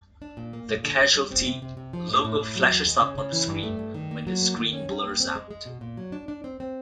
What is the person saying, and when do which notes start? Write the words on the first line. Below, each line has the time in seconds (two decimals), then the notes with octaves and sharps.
The "Casualty" logo flashes up on the screen when the screen blurs out.
0.22 D4
0.37 A#2
0.53 A#3
0.69 A#2
0.84 D3
1.00 D3
1.16 G3
1.31 C4
1.46 C3
1.62 C3
1.77 C3
1.93 F3
2.08 A2
2.24 A2
2.39 A2
2.56 F#3
2.71 E2
2.87 G#3
3.02 C#3
3.18 C#3
3.33 E3
3.48 G2
3.63 A3
3.79 G2
3.94 D#3
4.11 A#3
4.27 F#3
4.42 A#3
4.57 D#3
4.73 C#4
4.89 G3
5.04 A#3
5.20 C4
5.35 G#3
5.51 G#3
5.66 B2
5.81 A#2
5.97 F#3
6.12 D4
6.28 D4
6.44 C4
6.60 C4